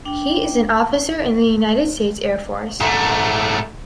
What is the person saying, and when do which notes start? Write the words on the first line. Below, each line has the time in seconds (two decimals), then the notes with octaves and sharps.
He is an officer in the United States Air Force.
0.05 D4 G5
2.81 G#2 A3